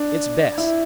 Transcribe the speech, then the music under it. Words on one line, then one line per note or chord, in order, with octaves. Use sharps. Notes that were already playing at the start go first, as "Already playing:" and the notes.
It's best.
Already playing: D4
E4